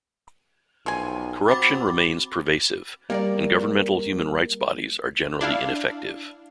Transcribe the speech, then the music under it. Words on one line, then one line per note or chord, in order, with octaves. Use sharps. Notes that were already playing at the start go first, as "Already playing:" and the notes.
Corruption remains pervasive and governmental human rights bodies are generally ineffective.
B1 F3 G#5
C4 F#4 B5 D6 A6
G3 A#3 A#4 D5
D4 E4 F5